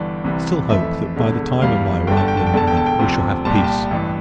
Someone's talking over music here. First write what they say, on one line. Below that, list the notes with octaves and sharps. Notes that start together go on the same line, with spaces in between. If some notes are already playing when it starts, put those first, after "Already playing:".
I still hope that, by the time of my arrival in England, we shall have peace.
Already playing: G1 G2 E3 D5
C2 C3 E3 G3
F2 E3 A3 E5
E1 E2 D3
E2 E3 G3 F5
G1 G2 D3 G5
A5
G5
A5
G5
E1 E2 D3 A5
G5
A5
G5
D2 C3 F3
C2 A#2 G3 A5
G5
A5
A1 G2 E3